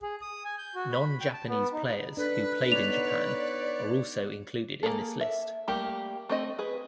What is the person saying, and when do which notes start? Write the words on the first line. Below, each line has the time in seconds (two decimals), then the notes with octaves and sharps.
Non-Japanese players who played in Japan are also included in this list.
0.02 G#4
0.22 D#6
0.45 G#5
0.58 G6
0.75 F#4
0.92 B5
1.21 G5
1.33 A5
1.49 B3
1.72 D#4
2.17 D4 A4 B4
2.72 B3 D#4 C#5 D5 F7
4.83 A#3 G#4 A4
5.21 E5
5.68 G3 A3 A#3 G4
6.29 A3 C4 D#5
6.59 G#4 B4